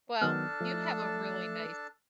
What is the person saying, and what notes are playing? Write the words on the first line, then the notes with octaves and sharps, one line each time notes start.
Well, you have a really nice
D#3 F#3 B3 D4 A4 A5 F6
F3 A3